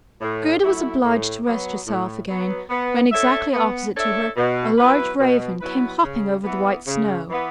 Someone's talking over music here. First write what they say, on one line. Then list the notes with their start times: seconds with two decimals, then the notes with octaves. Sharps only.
Gerda was obliged to rest herself again, when, exactly opposite to her, a large Raven came hopping over the white snow.
0.21 A2
0.63 F#3 A3 E4
1.04 A2
1.45 F#3 B3
1.86 A2
2.28 F#3 B3
2.70 B3
3.12 D4 A4 C#5 E5
3.53 B3
3.95 D4 A4 C#5 E5
4.37 B2
4.78 F#3 B3 E4 B4
5.20 B2
5.61 F#3 B3 E4 B4
6.02 C#3
6.44 E3 B3
6.86 C#3
7.28 E3 B3